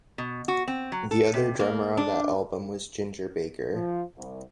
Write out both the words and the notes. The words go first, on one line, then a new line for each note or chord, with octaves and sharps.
The other drummer on that album was Ginger Baker.
B2
F#4
C4
F#3
A4
C3
A#3
D4
F3
C2